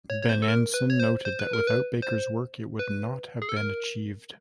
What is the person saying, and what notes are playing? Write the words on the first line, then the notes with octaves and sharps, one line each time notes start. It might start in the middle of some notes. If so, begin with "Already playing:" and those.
Benenson noted that without Baker's work it would not have been achieved.
C#5
C#5
C5
A4
A#4
B4
C#5
C5
C5
B4
A#4
B4
C5
B4
G#4
A4
A#4